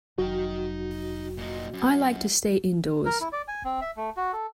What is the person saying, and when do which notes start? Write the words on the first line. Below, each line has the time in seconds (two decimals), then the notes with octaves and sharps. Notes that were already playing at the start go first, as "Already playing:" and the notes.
I like to stay indoors.
0.18 F1 F#3 D#4 F#4 G5
1.37 A#2 D#4
1.73 F#2
3.06 A#4
3.21 E4
3.33 D5
3.48 G#5
3.65 C4
3.81 E5
3.97 A3
4.17 F#4
4.33 A4